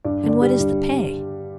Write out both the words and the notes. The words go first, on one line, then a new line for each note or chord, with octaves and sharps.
"And what is the pay?"
G2 D5
D3
D5
G3
G2